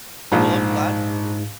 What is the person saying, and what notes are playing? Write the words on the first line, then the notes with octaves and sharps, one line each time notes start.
Well, I'm glad
A#1 G#2 F3